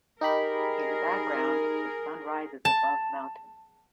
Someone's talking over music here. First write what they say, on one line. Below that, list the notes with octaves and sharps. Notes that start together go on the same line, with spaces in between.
In the background, the sun rises above mountains.
D#4 G4 G#4 A#4 B5
A5